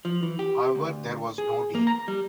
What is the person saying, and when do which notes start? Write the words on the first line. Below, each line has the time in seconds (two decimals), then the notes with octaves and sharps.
However, there was no deal.
0.05 F3
0.23 E3
0.39 G4
0.75 D2
1.38 G#4
1.75 A#3
1.87 A#5
2.08 G3